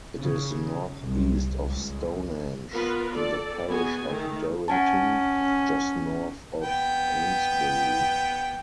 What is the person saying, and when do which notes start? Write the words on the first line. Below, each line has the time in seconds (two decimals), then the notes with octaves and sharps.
It is north-east of Stonehenge in the parish of Durrington, just north of Amesbury.
0.19 C#3
1.02 C2
1.64 C#2
2.72 B3 F4 A#4 B4
3.14 A4 D5
3.69 B3 F#4 G#4 G#5
4.08 D#3 A3
4.68 C#4 F#5 G#5 A5
6.61 B3 G5